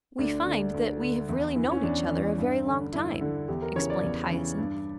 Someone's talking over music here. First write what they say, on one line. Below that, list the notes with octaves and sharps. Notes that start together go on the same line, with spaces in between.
"We find that we have really known each other a very long time," explained Hyacinth.
D2 D4
D3
D2
D3
E2
E3
C#4
E2 D4
E3
G2
D3
G2 E4
D3
E2 G4
A#4
C#3 E3 C#5
D5
E2
C#3 E3
G2